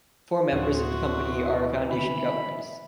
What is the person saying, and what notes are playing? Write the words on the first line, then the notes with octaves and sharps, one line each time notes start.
Four members of the Company are foundation governors.
D2 A2 E3 F#4 F#5 C6 C#6 D#6
D3 D#3 E5 B5